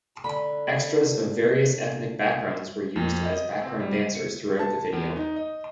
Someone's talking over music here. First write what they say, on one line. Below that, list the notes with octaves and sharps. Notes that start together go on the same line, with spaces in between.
Extras of various ethnic backgrounds were used as background dancers throughout the video.
D3 B5
F2
D#5
C4
G3
D#7
C#7
A5
E2
D#4
D#5